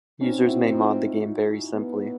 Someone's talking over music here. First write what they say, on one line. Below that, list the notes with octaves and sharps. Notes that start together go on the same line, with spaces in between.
Users may mod the game very simply.
C4 C#4 D#4
E4 F#4
D#4 F4
B3